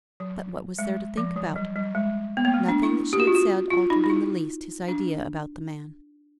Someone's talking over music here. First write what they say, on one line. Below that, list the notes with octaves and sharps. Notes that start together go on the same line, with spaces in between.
But what was there to think about? Nothing that she had said altered in the least his idea about the man.
F#3
G#3
F3
F#3
G3
G3
G#3
B3
A#3
A3
D4
E4
G4
F#4
F4
F#4
F4
D#4
D#4
E4
D4